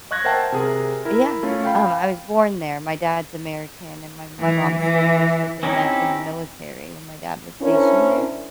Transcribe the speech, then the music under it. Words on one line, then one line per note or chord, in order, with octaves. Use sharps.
Yeah, um, I was born there, my dad's American and my my mom's Turkish, but they met in the military when my dad was stationed there,
D#5 C#6 F#6 G#6 A#6
A#4 C5 E5 F#5 G5 A5
C3 G#4 A#4
E4 A#4
A3 C#4 F4
F5 G5 B5
E3
E3
C4 C#4 D#4 E4 G4
C#4 D4 E4 A#4 C5